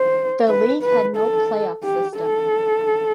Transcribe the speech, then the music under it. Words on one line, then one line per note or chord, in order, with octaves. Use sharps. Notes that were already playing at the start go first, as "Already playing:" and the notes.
The league had no playoff system.
Already playing: C5
B4
B4
A4
G4
A4